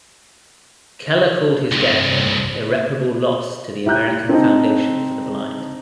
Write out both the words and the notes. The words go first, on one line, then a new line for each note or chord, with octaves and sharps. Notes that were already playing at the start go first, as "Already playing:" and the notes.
Keller called his death an "irreparable loss" to the American Foundation for the Blind.
C2 G2
E4 G4 A#5 F#6 G6
C4 D4 D#4